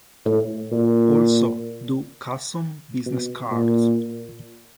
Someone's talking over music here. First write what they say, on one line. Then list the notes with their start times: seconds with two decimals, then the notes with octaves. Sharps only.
Also do custom business cards.
0.25 A2
0.72 A#2
3.06 B2
3.51 A#2